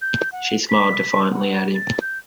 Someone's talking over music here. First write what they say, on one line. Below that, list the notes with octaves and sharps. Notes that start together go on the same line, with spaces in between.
She smiled defiantly at him.
G6
F#5
B6
F#5
A6
G6